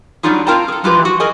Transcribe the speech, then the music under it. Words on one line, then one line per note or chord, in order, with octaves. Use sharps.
you know?
F#3 G3 D4 D#4 F4 G#4
C4 F4 A#4 G5 A5 A#5
G#4 A4
G#3 F4 G4 B4
F#4
G#4 A#4 D#5 G#5